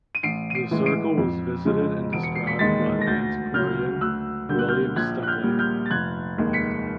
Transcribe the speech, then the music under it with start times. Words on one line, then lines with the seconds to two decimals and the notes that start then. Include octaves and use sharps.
The circle was visited and described by the antiquarian William Stukeley.
0.15 D#7
0.23 A1 C7 D7
0.50 D#7
0.55 C7 D7
0.71 A2 E3 G#3
0.86 C7 D7
1.18 F2
1.65 C#3 F3 G#3
2.13 E1 D7
2.23 C#7
2.35 C7
2.47 B6 C#7
2.59 D#2 D#3 G#3 A6 B6
3.01 A#6
3.07 D2 G6 A6
3.54 C#3 F#3 F6 G6
4.01 D2 E6 F#6
4.49 D3 G3 A#3 G6
4.59 F#6
4.69 F6 G6
4.96 A#1 F#6 G#6
5.23 F#6
5.27 F6 G6
5.43 A#2 G3
5.59 F6 G6
5.86 A6
5.90 F1 F#6 G#6
6.38 D#2 D#3 G#3
6.53 B6 C#7